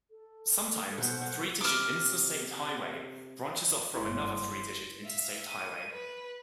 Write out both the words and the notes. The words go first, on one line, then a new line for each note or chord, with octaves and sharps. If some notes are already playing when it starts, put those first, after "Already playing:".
Sometimes, a three-digit Interstate Highway branches off from another three-digit Interstate Highway.
A4
B1 B2 C5 F#5
C3 D6 F6
F#1 G2 E4 C#5 C6
E5 F5
D#7
B4